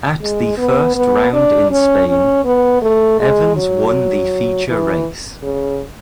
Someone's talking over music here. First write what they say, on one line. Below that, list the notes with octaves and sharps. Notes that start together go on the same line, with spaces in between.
At the first round in Spain, Evans won the feature race.
G#3
B3
B3
D4
C#4
C#4
B3
A3
G#3
F#3
E3
C#3